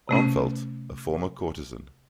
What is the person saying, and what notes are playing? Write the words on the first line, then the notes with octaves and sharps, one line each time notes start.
Armfeldt, a former courtesan.
C3 A3 C#4